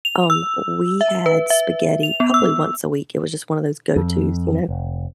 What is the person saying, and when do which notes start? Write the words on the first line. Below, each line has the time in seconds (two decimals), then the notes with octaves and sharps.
um, w we had spaghetti probably once a week, it was just one of those go-to's, you know,
0.05 F7
0.30 E6
1.01 E5
1.26 B4
1.50 E5
2.03 F7
2.20 B3
2.34 E6
3.96 F2
4.69 F1